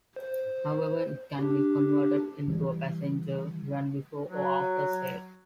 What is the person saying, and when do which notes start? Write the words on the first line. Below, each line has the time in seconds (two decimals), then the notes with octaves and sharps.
However, it can be converted into a passenger van before or after sale.
0.16 C5
1.39 D4 G4
2.48 E3 G3
4.28 F#3